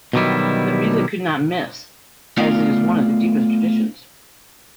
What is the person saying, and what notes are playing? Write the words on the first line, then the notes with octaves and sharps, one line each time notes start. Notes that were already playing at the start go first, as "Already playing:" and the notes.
The music could not miss as it is one of the deepest traditions.
B2 D3 D#3 F#3 G3 E4
A3 B3 F4 D5 F5